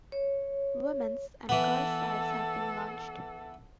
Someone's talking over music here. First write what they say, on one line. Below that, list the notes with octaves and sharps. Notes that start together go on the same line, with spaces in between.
Womens and girls sides have been launched.
C#5
E3 B3 A4